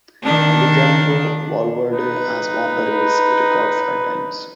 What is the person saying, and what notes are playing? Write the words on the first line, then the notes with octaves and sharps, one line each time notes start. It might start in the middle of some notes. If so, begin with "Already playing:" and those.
Alejandro Valverde has won the race a record five times.
D#3 D4
D#4 B4